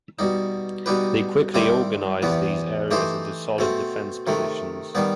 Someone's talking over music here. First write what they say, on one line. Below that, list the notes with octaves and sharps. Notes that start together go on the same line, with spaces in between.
They quickly organized these areas into solid defense positions.
B2 G3 D#4
B2 G3 D#4 G4 B4
D#3 G3 C4 E4 G4
E2 C3 E3 B3
E3 A3 D#4 G4 C5
B2 A3 C4
C3 D#3 A3
D#3 G3 B3